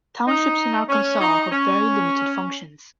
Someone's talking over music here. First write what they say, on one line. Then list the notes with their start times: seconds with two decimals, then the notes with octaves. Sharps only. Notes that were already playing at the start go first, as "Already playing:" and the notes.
Townships in Arkansas have very limited functions.
0.26 D#4
0.89 C#4
1.20 D#4
1.51 C#4